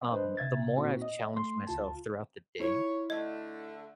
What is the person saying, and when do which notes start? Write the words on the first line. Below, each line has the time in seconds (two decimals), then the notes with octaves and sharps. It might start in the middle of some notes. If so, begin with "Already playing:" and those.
um, the more I've challenged myself throughout the day,
0.09 D4 B4 C5 D#5
0.37 C3 E5 G#6 A6
0.76 A#2 A#3 C4 D#4 F#4
1.02 D#5
1.34 A3 C6
1.67 D2 F4 A5
2.60 E4 F4 C#5
3.10 D3 A3 D#5